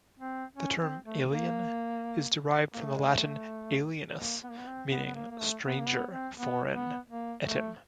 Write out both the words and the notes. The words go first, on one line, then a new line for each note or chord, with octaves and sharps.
The term "Alien" is derived from the Latin "alienus", meaning stranger, foreign, etym.
C4
C#4
C4
A3
A#3
A#3
A3
G#3
A3
A#3
B3
A#3
B3
C4
B3
B3
A#3
A#3
A3
B3
A#3
B3
C4
B3
B3
A#3
A3